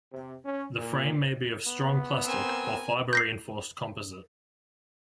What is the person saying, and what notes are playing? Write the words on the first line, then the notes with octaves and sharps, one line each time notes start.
The frame may be of strong plastic or fibre reinforced composite.
C3
C#4
A#2
B3
C4 A#4 G#5 E6
G6 A#6 C7